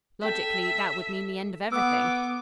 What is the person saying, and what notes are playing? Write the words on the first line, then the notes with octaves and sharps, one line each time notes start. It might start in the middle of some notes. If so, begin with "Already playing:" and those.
Logically, that would mean the end of everything.
A4 E5 G5 G6
B3 F#5 D6 E6